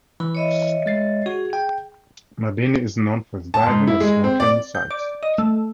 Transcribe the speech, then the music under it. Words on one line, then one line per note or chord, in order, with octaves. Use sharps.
Mabini is known for its diving and snorkeling sites.
E3 B5
C#5 D#5 E5
G#3 A6 C7
F#4 G#4
G5
A5
G#2
E4
G#3
C4
D5
G6
D5
D#5
A3